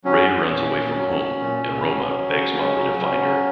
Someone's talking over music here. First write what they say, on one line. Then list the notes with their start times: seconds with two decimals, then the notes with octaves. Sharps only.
Ray runs away from home and Roma begs Molly to find her.
0.04 F#3 C#4
0.27 F#3
0.50 A#2
0.72 A#2
0.95 F#3
1.18 F#3
1.40 A#2
1.63 A#2
1.86 F#3
2.09 F#3
2.31 C#3
2.54 C#3
2.76 F#3
3.00 F#3
3.22 C#3